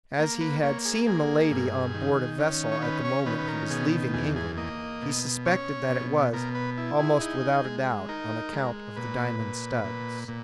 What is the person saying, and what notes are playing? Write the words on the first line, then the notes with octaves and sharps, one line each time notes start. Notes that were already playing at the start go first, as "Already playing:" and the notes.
As he had seen Milady on board a vessel at the moment he was leaving England, he suspected that it was, almost without a doubt, on account of the diamond studs.
A#3 A#4
B4
A#3 C#5
G#4
A#3 G#4
G2
D#3
C#4
C#5
C#4 B4
C#5
D#3 B4
B4
A#4
B2 G#4
E2 G#4
G#4
A#3 D#5
B2
C#4 C#5
B2
B2 A#4
B4
E4
G#4
D#4
G#3
D#4 A#4
G#3
A#2 B4
A#2
A#2
A#2